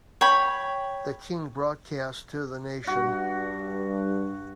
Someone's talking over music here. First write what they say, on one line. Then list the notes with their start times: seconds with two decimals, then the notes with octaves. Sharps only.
The King broadcast to the nation.
0.21 C#5 G5 B5
2.87 G2 F#4